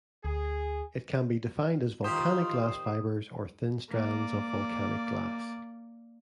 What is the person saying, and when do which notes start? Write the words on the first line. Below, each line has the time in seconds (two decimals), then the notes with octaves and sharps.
It can be defined as volcanic glass fibers or thin strands of volcanic glass.
0.25 D2 G#4
2.04 D#3 F4 G4 C5 D#6
3.90 A#3 D5